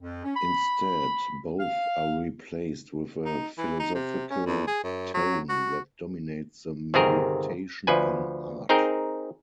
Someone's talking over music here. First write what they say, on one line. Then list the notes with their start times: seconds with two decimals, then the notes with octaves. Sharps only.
Instead, both are replaced with a philosophical tone that dominates the meditation on art.
0.01 F2
0.24 C#4
0.36 B5
1.59 F5
3.25 D#4
3.58 E3
3.80 D#4
3.95 C3
4.30 C#4
4.46 E2
4.67 G#4
4.84 F#2
5.14 F#3
5.49 F#4
6.94 G1 C3 D#3 C4 G#4 A#4
7.87 D2 F3 B4 G#5
8.69 C4 D#4 G#4 A#4 G5